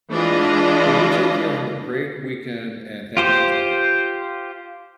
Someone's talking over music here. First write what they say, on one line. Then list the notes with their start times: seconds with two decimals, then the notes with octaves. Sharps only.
Um, well, you take care. Have a great weekend and thank you for talking.
0.11 E3 G#3 D4 F4 B4 D#5
3.17 F4 G4 C5